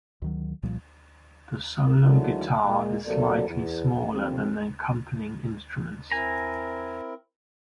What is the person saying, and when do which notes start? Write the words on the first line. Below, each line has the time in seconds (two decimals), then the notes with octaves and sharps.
The solo guitar is slightly smaller than the accompanying instruments.
0.22 D2 D#3 F#3
0.63 C2 A#2 F3 G3
2.03 D3 D#3 F#3 G#3 A3 E4
2.65 A#2 G#3
3.06 D2 C3 F#3 A#3 A4 D5
3.48 E2
4.13 D#2 D3 F3 C4
6.11 C4 E4 A#4 G#5 A#5